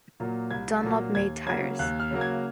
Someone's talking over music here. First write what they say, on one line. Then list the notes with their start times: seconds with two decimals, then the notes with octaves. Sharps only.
Dunlop made tyres.
0.20 A#2 F#3 A#3
0.51 C2 G#6
0.83 A#2 F#3 A#3
1.15 D#2 G#6
1.46 C#3 F#3 A#3 G#6
1.79 D#2 F#6
2.00 F6
2.11 C#3 F#3 A#3
2.21 G#6